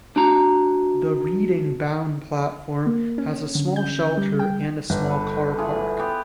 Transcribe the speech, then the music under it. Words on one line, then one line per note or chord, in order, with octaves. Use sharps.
The Reading bound platform has a small shelter and a small car park.
D4 F#4 A#5
A#3
C#4
D3
G6
G3
G5
G1
A4 B4
A2 F4 G#4
B3 G4